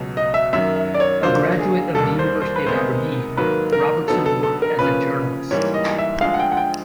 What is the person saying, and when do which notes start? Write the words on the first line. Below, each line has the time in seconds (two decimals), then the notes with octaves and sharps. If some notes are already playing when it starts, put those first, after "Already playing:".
A graduate of the University of Aberdeen, Robertson worked as a journalist.
Already playing: C#2 B2 F#3
0.17 D#5
0.34 E5
0.53 F#2 D#3 F#3 E5
0.76 E5
0.94 D5
1.00 C#5
1.23 D3 F#3 A#3 D4 F4 C5
1.59 G#4
1.95 D#2 D#3 G3 A4
2.19 C5
2.42 C5
2.56 B4
2.66 C3 D#3 G#3 B3 D#4 C5
3.37 G#2 D#3 F#3 A#3 B4
3.73 A#4
4.08 D3 F#3 B3 D#4 A4
4.26 A4
4.43 A4
4.62 A#4
4.79 C#3 F3 A#3 C#4 B4
5.51 G#2 E3 G3 A#3 C#5
5.74 D#5
5.98 E5
6.21 D2 D3 F3 G#3 F5
6.34 F#5
6.40 G5
6.52 F#5
6.57 G5